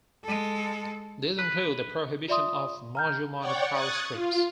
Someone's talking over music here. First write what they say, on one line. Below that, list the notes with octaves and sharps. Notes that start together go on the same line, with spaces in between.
These include the prohibition of module-mounted power strips.
G#3 A4
B4
F4 D5 E5 C6 D#6
A#5 F6 G6
C#5 D5 F#5 G5 C#6
C#6 D#6 F#6 G#6 A6
F4